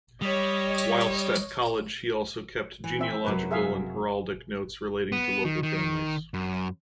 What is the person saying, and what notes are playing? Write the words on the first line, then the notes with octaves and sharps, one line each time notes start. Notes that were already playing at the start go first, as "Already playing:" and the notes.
Whilst at college, he also kept genealogical and heraldic notes relating to local families.
G3 C#5 D#5
E3
C4 E5
F#2 C3 F#3 B4
G#4 E5 F5
B3
D#3
D#3
F#2